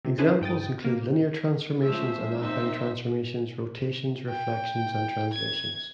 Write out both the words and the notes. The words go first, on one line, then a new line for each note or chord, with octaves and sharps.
Examples include linear transformations and affine transformations, rotations, reflections and translations.
C3
C#4 D4 E4 G#4 B4 C5
G2 G5 D#6 A6
A#3
F3 G#3 A3 C#4 C5 E5
A#3 C4 D#4 C5 E5
G5
G#6